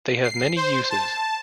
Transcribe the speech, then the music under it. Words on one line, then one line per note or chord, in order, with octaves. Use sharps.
They have many uses.
C7
C5
A5